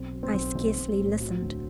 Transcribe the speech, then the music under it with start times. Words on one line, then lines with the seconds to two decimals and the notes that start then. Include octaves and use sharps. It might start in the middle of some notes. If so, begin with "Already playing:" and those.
I scarcely listened.
Already playing: B1 C4
0.13 F#3
0.23 C4
0.34 B1
0.55 B1
0.77 B1
0.99 A2
1.20 F#3
1.42 D2